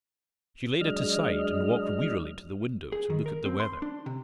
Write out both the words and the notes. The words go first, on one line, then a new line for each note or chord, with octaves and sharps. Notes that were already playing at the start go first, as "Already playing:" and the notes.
She laid it aside, and walked wearily to the window to look at the weather.
F#3 G#3 D4 D#5 F6
G#4
D#3
A#4
C4
C6
D4
C3